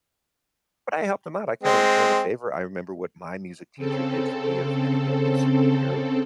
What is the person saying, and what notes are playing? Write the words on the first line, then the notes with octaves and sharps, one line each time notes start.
But I helped him out, I kinda returned the favor. I remember what my music teacher did for me of kinda giving me some gear,
G#3 C4
C#3 C4 A4